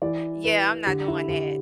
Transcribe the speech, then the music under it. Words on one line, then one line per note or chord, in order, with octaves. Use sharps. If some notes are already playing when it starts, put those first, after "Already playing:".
Yeah, I'm not doing that.
E3 D5
E3 B4
D3 G4
E4
D3 G4